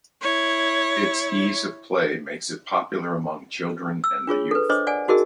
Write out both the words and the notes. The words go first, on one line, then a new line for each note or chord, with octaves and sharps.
Its ease of play makes it popular among children and the youth.
E4 C#5
E6
D4 F4 G#4 C#5
A4 B4
D4 C5 C#5 D#5 D6
D5 F#5 G#5
D#4 F#4 G#4 A#4 D#5